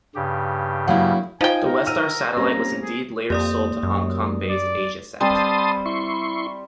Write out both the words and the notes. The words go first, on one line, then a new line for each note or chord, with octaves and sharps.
The Westar satellite was indeed later sold to Hong Kong-based AsiaSat.
G2 C#3 G4
F#3 A#3 E4 F5 F#5
F3 D#4 G5 G#5
A#4
A#4 E6 F6 D#7
G3 A#3 C4 C#4 A#5
G#4
F2 A#3 G4 D5 D#6
F#2
D5
G3 C4 A5 C6 D#6
E4 C6 C#6